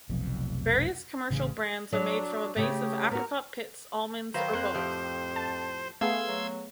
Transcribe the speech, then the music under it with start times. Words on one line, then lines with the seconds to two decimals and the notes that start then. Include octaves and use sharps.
Various commercial brands are made from a base of apricot pits, almonds, or both.
0.09 F1 B1 F2
1.30 A1 C#3 C#4
1.92 F#3 D4
2.56 C#3 A3 G4
3.11 B3 F#4 A#4
4.34 D#3 F#3 B4 C5 F5 A#5
4.53 F2 A#3 C6 F#6
4.74 A2 F3 G4
5.36 A5
6.01 A3 B3 G#4 F5 C6 E6 G#6
6.28 F#3